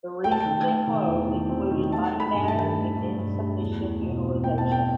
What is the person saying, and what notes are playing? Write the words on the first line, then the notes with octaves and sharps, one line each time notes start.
The reasons they closed included money matters and insufficient utilization.
A3 G5
A5
D#3 G5
A3
D#3
E2
D#3
C4
D#3
A3 A5
A3
B5
G2
A5
D#3
A3
G2
G2
A3
E2
E2
B2
C4
B2 G5
A5
C4
G5